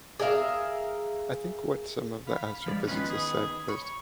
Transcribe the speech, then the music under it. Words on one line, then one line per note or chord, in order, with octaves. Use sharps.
I think what some of the astrophysicists said was
G#4 A#4 E5 F5
F5 B5
F3 G#3 D5
D#3 B3 C#4 F4 B4
G#4
C#5 B5 C#6